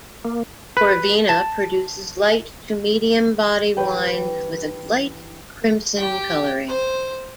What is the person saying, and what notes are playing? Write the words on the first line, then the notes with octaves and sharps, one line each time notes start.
Corvina produces light to medium body wines with a light crimson coloring.
A#3
B4
A5
G2 E3 G4 B4 C#5 G5
G4 G5
C5